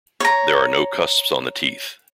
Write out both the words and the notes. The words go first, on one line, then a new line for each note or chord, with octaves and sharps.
There are no cusps on the teeth.
C#5 A#5